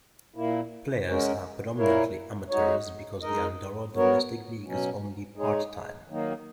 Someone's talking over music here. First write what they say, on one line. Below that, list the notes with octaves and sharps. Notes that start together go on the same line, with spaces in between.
Players are predominantly amateurs because the Andorra domestic league is only part-time.
A#2 A#3 E4
G#3 C#4 F#4 A#4
A#2 A#3 E4 A#4 C#5
G#3 D#4 F#4 C#5
G#3 D#4 A#4 D#5
F#3 B3 F#4 A#4 C#5
B2 F#3 C#4
G#3 D#4 G#4 C#5
D#3 F#3 A#3 D#4